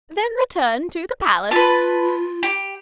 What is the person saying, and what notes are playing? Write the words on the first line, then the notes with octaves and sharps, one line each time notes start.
"Then return to the Palace."
F4 B4 A5
G4